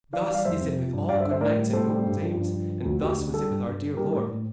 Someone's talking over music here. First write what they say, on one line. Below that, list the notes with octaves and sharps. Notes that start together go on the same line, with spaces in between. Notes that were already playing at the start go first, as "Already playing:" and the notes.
Thus is it with all good knights and noble dames, and thus was it with our dear Lord.'
E3 D5 F5
D5 F5
G3
D5 F5
F2 C5 E5
C3
F3
G2
G2 D5 F5
C5 E5
D3
C5 E5
A2 A#4 D5
G3
A2 A4 C5
G3
G2
F3
G2
F3
F3
D2
D2 G4
D3
G3 A4
G2
G2
D3
G3 G4 A#4
A2
A2